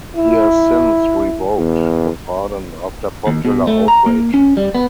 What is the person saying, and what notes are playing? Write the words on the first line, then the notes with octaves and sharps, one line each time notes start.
He has since revoked the pardon, after popular outrage.
E4
E2
D#2
B2
A3
A#5
A#3
C#4
G3
B3